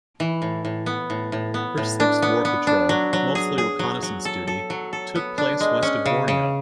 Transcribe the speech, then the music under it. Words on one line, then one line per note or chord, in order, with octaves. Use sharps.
Her sixth war patrol, mostly reconnaissance duty, took place west of Borneo.
E3
A2
A2
B3
A2
A2
B3
A2
D4
B3
B3
D4
F#3
F#3
G#4
G#4
F#3
F#3
A4
A4
F#3
A4
B3
D4
G#3
C#4
C#3
C#3